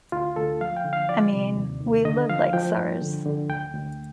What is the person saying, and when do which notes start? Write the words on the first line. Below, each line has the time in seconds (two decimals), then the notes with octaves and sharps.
I mean, we live like czars.
0.12 D2 F4
0.36 D2 A4
0.61 F3 F5
0.77 G5
0.85 D3
0.93 F5
1.09 F3 D5
1.33 C3
1.57 D#2
1.81 D#3
2.05 D3 D#5
2.29 F3 F5
2.53 F3 G5
2.77 G2
3.01 D3
3.26 D3
3.49 D2 G5
3.73 D2